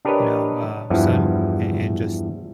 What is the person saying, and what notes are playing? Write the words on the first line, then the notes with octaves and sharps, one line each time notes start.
you know, uh, son a and just
D4 G4 A#4 B4 C#5 D#5
E2 G2 E3 F3